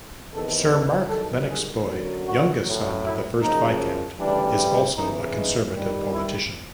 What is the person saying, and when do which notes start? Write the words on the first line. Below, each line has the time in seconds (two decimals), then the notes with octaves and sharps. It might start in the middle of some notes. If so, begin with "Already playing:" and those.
Sir Mark Lennox-Boyd, youngest son of the first Viscount, is also a Conservative politician.
0.33 E2 C3 D#3 A4
0.71 A4
1.10 G2 D#3 F#3 A4
1.48 G#4
1.88 F#2 D3 F#3
2.26 F#4
2.65 A2 F#3
3.04 E4
3.42 F#2 C#3 F3 D#4
4.19 D2 C#3 E3 G3 D4
4.97 E2 C#3 E3 D#4
5.35 D#4
5.75 G2 D#3 G3
6.13 E4